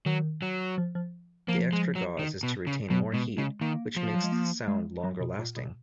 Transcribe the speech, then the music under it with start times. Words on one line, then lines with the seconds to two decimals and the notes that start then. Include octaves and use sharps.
The extra gauze is to retain more heat, which makes the sound longer lasting.
0.06 D#3 F#3
0.42 F#3
0.78 F3
0.95 F3
1.48 F3 A#3
1.73 G#3
1.95 F#3
2.19 D#3
2.43 B2
2.67 C#3
2.90 B2 F#3
3.13 B2 G#3
3.37 C#3 G#3
3.61 D#3 A#3
3.96 F3
4.14 F#3
4.24 G#3
4.32 A#3
4.68 G#3
5.04 F#3
5.20 B2
5.39 A#2
5.57 B2